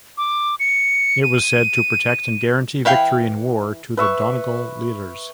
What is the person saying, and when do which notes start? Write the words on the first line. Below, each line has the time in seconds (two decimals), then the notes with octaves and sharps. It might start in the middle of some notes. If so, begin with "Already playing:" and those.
It was said to protect and guarantee victory in war to the Donegal leaders.
0.18 D6
0.60 C#7
1.23 D#7
2.85 E3 E4 F5 G5
3.97 B4 E5 C#6